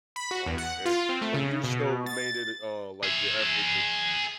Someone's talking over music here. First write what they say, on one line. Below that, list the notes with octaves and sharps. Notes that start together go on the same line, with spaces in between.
Okay, but you still made it d uh, like your effort to
B5
F#4
E2
F#5
F4
C4
A3
C#3
B2
A6
G#4 E5